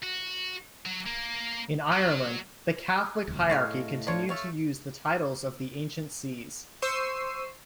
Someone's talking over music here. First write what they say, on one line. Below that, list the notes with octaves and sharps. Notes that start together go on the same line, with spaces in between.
In Ireland, the Catholic hierarchy continued to use the titles of the ancient sees.
F#4
F#3
A#3
F#3
E1 D2
A2 G#3 C#5 F5
D4 F4 C#5
A3 C#5 F5
C5 C#6 E6 C7 D#7